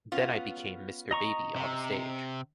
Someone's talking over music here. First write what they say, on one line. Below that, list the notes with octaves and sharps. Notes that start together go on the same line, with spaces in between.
Then I became Mr. Baby onstage.
B3 C#4 F4
D#5 A#5 C#6
C3